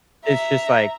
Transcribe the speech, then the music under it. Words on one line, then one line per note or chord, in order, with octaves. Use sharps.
it's just, like,
E5 A#5